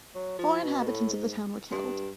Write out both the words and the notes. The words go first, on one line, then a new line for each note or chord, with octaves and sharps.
Four inhabitants of the town were killed.
F#3
F3
B2
A2
G#2
G2